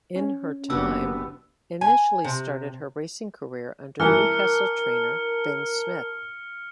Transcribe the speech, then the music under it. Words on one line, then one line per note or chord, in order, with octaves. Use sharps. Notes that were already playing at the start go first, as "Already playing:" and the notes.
In Her Time initially started her racing career under Newcastle trainer Ben Smith.
C#4
F#1 B3 D4 F#4 G4 E6
G#5
C3
E3 A#4 A5 A#5 F6 C#7